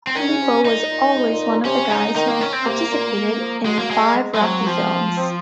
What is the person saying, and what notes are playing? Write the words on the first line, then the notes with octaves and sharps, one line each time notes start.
Filippo was also one of the guys who participated in five Rocky films.
C4
D#3 C#4
C#3
C3
A#2 D#4
A#2
G#2
A#2
A#2
C3 C#4
C#3 D#4
D#3 D#4
A#3
C#4
C4
C3 A#3
A#2
F3
F#3 G#3
A#3
G#3
G#3
G#3
F#3 C4
A#3
F3 C4
C4